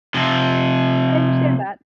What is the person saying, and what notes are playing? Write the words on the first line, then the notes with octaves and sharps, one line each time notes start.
I understand that.
C3 F3